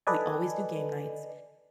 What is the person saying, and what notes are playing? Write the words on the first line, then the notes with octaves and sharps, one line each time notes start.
We always do game nights,
A4 B4 D5 D#5 G#5